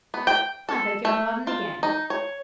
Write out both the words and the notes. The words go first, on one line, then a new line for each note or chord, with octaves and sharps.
I beg your pardon again.
B3
G5
A4
A3
F4
D#4
C#5